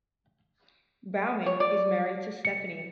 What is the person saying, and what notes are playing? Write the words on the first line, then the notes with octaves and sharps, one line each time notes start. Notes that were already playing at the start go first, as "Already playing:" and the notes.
Baumann is married to Stefanie.
C#5
D5
C#7